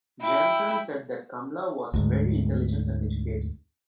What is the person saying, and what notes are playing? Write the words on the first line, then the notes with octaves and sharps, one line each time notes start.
Janssen said that Kamala was "very intelligent and educated".
E4 G5
D2 G#2